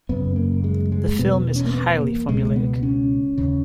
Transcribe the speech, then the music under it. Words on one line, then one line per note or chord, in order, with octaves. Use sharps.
The film is highly formulaic.
F#2 C#3 B3
A#3
G#3
G#3
E2 B2 B3
B3
C#4
A#3
B3
A#3
C#2 B2 G#3
B3
C#4
D#2 C#3